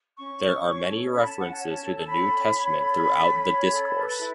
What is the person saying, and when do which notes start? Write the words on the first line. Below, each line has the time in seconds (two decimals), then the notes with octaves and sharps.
There are many references to the New Testament throughout the "Discourse".
0.18 C#4 C#6
0.42 C#4
0.65 C#5
0.89 A4
1.12 C#4 B5
1.26 A5
1.36 C#4 F#5
1.52 A5
1.59 C#5
1.84 A4
2.00 A5
2.07 C#4 B5
2.31 C#4
2.54 C#5
2.78 A4
3.01 C#4
3.25 C#4
3.48 C#5
3.72 A4
3.96 B4
4.19 E4